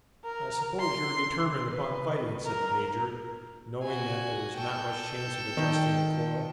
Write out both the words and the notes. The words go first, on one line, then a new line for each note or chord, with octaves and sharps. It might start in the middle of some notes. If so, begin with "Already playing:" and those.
"I suppose you are determined upon fighting?" said the major, knowing that, there was not much chance of adjusting the quarrel.
A#4
C6
B4
A#4
F#4 G#5
A4 G5
D#3